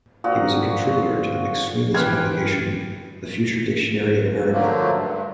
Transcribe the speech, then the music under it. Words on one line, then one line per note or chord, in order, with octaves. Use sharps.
He was a contributor to the McSweeney's publication "The Future Dictionary of America".
A#2 F3 F#4
E3 G4 B4 G5 C6 F6 F#6 G#6
D3 F3 F#3 A3 A#3
G2